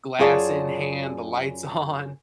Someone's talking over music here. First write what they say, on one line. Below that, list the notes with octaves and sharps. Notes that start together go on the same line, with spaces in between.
glass in hand, the lights on?
F#2 F4 G#4 C#5 D5 A5